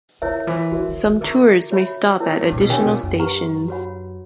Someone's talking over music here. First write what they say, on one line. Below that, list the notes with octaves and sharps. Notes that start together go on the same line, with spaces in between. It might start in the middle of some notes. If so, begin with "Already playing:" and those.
Some tours may stop at additional stations.
C#3 E4 A#4 C#5 E5 A#5
E3
D3 F#4 A#4 C#5 E5
D3
E3
D3 A#4 E5 A#5 C#6
F#4 C#5 E5 B5
E4 A#4 C#5
F#2
G2
A#2
B2
C#3 D4 G4 A#4 C#5 G5
B2
A#2
F#2
G4 B4 F#5 A#5 C#6
F#4 C#5 F#5 B5